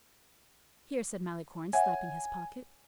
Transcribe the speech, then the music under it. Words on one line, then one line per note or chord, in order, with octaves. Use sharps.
"Here," said Malicorne, slapping his pocket.
C#5 E5 F#5 G#5